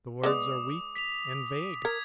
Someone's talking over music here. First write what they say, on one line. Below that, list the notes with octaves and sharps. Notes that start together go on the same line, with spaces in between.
The words are weak and vague.
G#3 B3 D5 D6 D#6
B6 F7
A#4 G#6